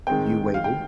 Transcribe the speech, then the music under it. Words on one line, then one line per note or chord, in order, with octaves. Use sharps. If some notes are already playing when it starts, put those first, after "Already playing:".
You waited.
D#3 G#3 C4 G5
F5
G5